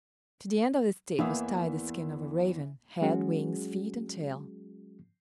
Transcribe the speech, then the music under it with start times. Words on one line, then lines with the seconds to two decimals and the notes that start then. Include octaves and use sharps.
To the end of the stick was tied the skin of a raven--head, wings, feet, and tail.
1.19 E2 E3 A#3 E5 D#6
3.01 F#3 G#3 C#4 F#4 G#4